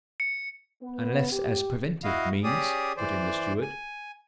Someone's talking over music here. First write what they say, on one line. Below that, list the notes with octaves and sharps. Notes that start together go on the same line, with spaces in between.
"Unless as preventive means," put in the steward.
C#7
B3
G4
E4 F#4 D#5 F5
C#4 G4 G#4 D5 D#6
E3 C5 D5
G#5